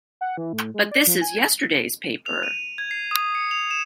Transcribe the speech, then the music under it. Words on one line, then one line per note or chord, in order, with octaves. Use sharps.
But this is yesterday's paper!
F#5
E3
A2
G#3
D5
F3
G#5
F7
D#7
G#6
C7
D#6
C#7
F7
E7